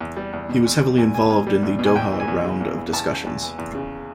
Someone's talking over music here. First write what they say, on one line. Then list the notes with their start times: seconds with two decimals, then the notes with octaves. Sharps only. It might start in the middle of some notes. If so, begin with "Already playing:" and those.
He was heavily involved in the Doha round of discussions.
0.01 E2
0.16 G3
0.33 E2
0.49 B2
0.65 E2
0.81 G3
0.98 E2 G#5
1.14 B2 G#5
1.30 E2 G#5
1.47 G3
1.63 E2
1.79 B2
1.86 G#5
1.95 E2 G5
2.12 E3
2.20 G#5
2.28 E2
2.44 C#3
2.61 E2
2.77 E3
2.93 E2 A5
3.10 C#3
3.26 E2
3.42 E3
3.59 E2
3.75 C#3